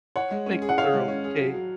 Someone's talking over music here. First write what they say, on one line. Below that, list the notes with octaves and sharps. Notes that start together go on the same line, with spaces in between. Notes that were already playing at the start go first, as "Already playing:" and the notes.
make us our own cake
C#5 F#5
G#3
C#4
G#4
F#5
C#5 F5
G#3
C#4
G#4
F#3
F#3